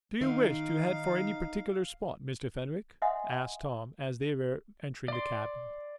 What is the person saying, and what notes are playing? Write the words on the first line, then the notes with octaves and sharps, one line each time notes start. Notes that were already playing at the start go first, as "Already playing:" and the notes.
"Do you wish to head for any particular spot, Mr. Fenwick?" asked Tom, as they were entering the cabin.
D#3 D#4 F5
D#5 E5 F#5 G#5 C6 D#6
D5 C6